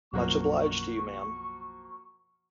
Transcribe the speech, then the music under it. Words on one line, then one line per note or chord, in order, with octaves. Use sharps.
Much obliged to you, ma'am!
B1 F#2 F3 A#3 F#4 C#6